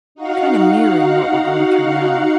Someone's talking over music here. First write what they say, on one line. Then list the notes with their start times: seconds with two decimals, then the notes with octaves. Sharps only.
kinda mirroring what we're going through now,
0.15 D#4 F#4 F5 F#5